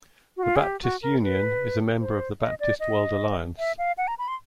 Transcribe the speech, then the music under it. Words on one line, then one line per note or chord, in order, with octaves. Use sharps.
The Baptist Union is a member of the Baptist World Alliance.
F#4
F4
G#4
G4
F#4
A#4
B4
C5
D#5
D5
D#5
E5
F5
F#5
A#5
B5
C6